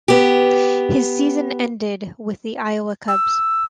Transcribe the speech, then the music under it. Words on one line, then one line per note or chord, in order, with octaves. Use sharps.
His season ended with the Iowa Cubs.
B3 G4
E6